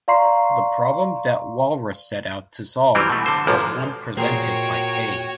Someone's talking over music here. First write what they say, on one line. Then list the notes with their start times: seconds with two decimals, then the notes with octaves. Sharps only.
The problem that Walras set out to solve was one presented by A.
0.08 D5 F5 A#5 C6 C#6 C7
2.95 E3 F#3 G3 C4
3.10 B2 A3
3.26 D3 C5
3.47 B1 G#2 D3 F3
4.17 A#2 F#4 G#4 A#4 C5 C#5 G5